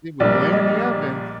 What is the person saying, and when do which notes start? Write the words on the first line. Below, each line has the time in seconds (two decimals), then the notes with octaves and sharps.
see, we're blaming the oven.
0.20 A#1 A#2 G3 D5
0.52 D#5